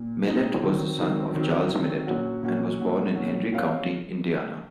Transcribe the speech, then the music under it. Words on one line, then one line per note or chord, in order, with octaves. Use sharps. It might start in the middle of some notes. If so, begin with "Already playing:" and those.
Mellette was the son of Charles Mellette and was born in Henry County, Indiana.
Already playing: A#2
A#2 G#3 C4 D#4
D#3 F#3 C4
D#3 F#3 C4
D#3 F#3 C4
D#3 F#3 C4
A#2 F#3 C#4 F#4
A#2 F#3 C#4 F#4
A#2 F#3 C#4 F#4
A#2 F#3 C#4 F#4
C4 F#4 C#5 F5